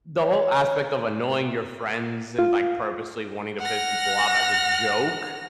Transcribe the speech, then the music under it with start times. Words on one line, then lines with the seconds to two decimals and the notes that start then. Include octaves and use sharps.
the whole aspect of annoying your friends and, like, purposely wanting to piss people off as a joke
0.22 C#5
2.39 F4
3.60 F#5 F6 A#6